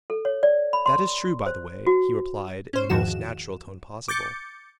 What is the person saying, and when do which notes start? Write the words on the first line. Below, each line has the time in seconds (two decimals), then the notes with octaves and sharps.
"That is true, by the way," he replied, in the most natural tone possible.
0.10 A4
0.25 C#5
0.43 D5
0.73 B5
0.86 C6
1.46 C5
1.87 F#4
2.73 C#4 C5
2.89 E2 G#2 D#3 F3 F#4 E7
4.08 D6 G6 A6 C#7